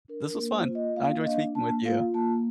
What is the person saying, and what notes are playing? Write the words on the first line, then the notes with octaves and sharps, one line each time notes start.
this was fun. I enjoyed speaking with you.
D4 A#4
A#4
A#3
C5
F4
D#5
A#3 F5
D#5
D4 F5
A#3 A5
F4 F5
A#3 A5